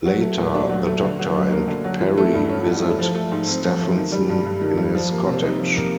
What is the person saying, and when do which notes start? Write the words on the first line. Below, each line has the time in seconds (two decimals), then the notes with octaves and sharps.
Later, the Doctor and Peri visit Stephenson in his cottage.
0.05 F#3
0.21 A3
0.37 A#2
0.54 D4
0.69 F#3
0.86 A3
1.03 D3
1.19 F#3
1.36 F#2
1.51 A#3
1.67 D3
1.84 F#3
2.01 E3
2.17 A3
2.33 G2
2.49 C#4
2.66 E3
2.82 A3
2.99 F3
3.14 A3
3.32 G#2
3.48 C4
3.64 F3
3.80 A3
3.96 D#3
4.12 G3
4.29 G2
4.45 G2
4.62 D#3
4.77 G3
4.95 F3
5.11 A#3
5.27 C3
5.43 D#4
5.60 F3
5.76 A#3